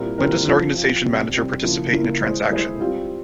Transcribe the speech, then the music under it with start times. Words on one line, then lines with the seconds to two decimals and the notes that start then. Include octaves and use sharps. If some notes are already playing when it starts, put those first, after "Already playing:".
When Does an Organization Manager Participate in a Transaction?
Already playing: A#2 G3 C4 E4 A#4
0.18 A#2 G3 C4 E4 A#4
0.46 F3 C4 F4
0.76 F3 C4 F4
1.05 C3 G3 C4
1.34 C3 G3 C4
1.62 C#3 F3 A#3 E4
1.92 C#3 F3 A#3 E4
2.21 G#3 E4 G#4 C5
2.50 G#3 E4 G#4 C5
2.79 G3 C4 F4